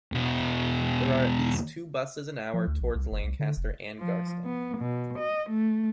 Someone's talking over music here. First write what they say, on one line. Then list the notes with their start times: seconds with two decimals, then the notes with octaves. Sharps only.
There are at least two buses an hour towards Lancaster and Garstang.
0.12 E2 B2
2.54 F3
2.67 D2
2.81 A#1
2.95 C2
3.11 F#1
3.24 C2
3.39 D3
3.57 F1
3.99 F3
4.45 B3
4.78 B2
5.18 D#5
5.50 A3